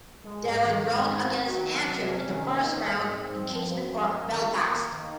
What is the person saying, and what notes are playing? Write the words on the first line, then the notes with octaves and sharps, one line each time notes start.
They were drawn against Antrim in the first round in Casement Park, Belfast.
G#3
G#2
D#3
G#2
C4
D#3
F#3
F#3
C3
C#4
D#3
A#3
D#4
G#2
C4
C4
F3
F#2
F#2
A#3
D#3
D#3
A#3
D#3